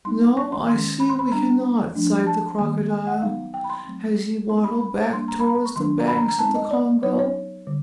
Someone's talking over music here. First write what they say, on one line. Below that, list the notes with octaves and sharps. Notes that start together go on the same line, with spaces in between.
"No, I see we cannot," sighed the Crocodile, as he waddled back towards the banks of the Congo.
G3 B3 D#4 C6
C#6
C6
D#3 G#3 C#4 C6
B5
C6
B5
G3 B3 D4 A#5
F3 A3 D4
A5
D#3 G3 A#3 G#5
G#5
F#5
F#3 B3 D#4 F5
G5
B5
C6
F#3 A3 C4
G3 B3 D#4 C6
B5
B5
G3 A#3 D4 C6
A#5
B5
A#5
B5
C#6
D#3 F#3 A3 D4 C6
A#5
B5
A#5
A#5
G#3 C4 D#4 A5
D#5
D5
F#3 B3 D#4 C#5
C#5
D3 G3